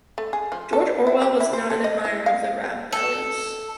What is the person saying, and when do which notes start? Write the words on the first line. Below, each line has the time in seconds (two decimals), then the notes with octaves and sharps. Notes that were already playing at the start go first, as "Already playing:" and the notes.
George Orwell was not an admirer of Rabelais.
0.18 A3
0.33 G#4
0.52 F3
0.73 A4
1.07 E4
1.22 G4
1.40 E4
1.53 C5
1.70 A4
1.84 D#5
2.05 E4
2.26 F5
2.92 A4